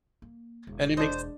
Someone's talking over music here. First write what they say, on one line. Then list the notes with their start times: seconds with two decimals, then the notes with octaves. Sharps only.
And it makes
0.22 A#3
0.67 E1
0.97 D4 C5 D#5